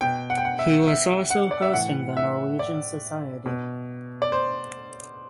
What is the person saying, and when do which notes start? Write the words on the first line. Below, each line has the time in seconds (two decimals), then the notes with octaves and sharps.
He was also hosting the Norwegian Society.
0.01 B2 G5
0.30 F#5
0.38 G5
0.45 F#5
0.59 E5
0.88 E5
1.30 F#5
1.51 D5
1.62 E5
1.73 A2 E3 F#5
2.17 E5
2.59 D5
3.46 B2
4.22 D5
4.32 C5